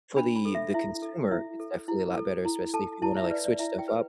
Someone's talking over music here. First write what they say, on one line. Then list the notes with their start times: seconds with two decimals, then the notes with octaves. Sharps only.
for the the consumer, it's definitely a lot better, especially if you wanna, like, switch stuff up.
0.16 D4 B5
0.36 B5
0.45 A4
0.55 E5
0.74 E4 E5
1.02 A4
1.31 E4 E5
1.60 A4
1.88 E4
2.17 A4
2.45 E4
2.74 A4 A5
3.02 E4 A5
3.17 E5
3.31 B4 D5
3.45 D5
3.59 E4 E5
3.79 G5
3.88 B4